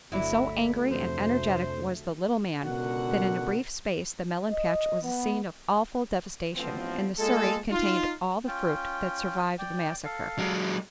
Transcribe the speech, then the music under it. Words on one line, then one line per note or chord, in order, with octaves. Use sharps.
And so angry and energetic was the little man that in a brief space the melon patch was a scene of awful devastation, and the surrey contained all the fruit that survived the massacre.
G1 D2 F#3 A3 E4 D5 B6
F2 C3 C5
C#2 B2 D3 F#4 A#4 F#5
D#5
B3
A1 F3 B3 C4
G#3 A#3 F4 G#4 A4
D#4 F4
C#4 F4 G5
D5 G5
A4 F5
F#3 G#3